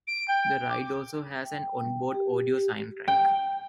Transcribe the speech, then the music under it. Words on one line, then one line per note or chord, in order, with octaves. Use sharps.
The ride also has an on-board audio soundtrack.
D7
G5
D6
G5
G4
G4
G5